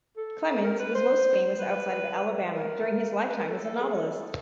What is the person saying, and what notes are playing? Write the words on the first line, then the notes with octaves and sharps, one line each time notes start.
Clemens was most famous outside of Alabama during his lifetime as a novelist.
A4
A#4
B4
C5
B4
A#4
B4
A#4
A4
A4
G#4
A4